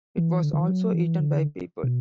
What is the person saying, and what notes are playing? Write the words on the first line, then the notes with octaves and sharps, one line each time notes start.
It was also eaten by people.
E3
D3
D3
E3
F#3
E3
D3
B2